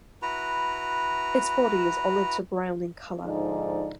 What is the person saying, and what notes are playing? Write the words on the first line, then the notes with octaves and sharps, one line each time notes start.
Its body is olive to brown in color.
E4 F#4 B4 A#5
G#2 D3 F3 D#4 D5